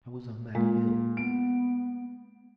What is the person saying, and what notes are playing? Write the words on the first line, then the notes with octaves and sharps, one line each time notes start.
"I was on that hill."
A#2 G#3 A#3
B3 D7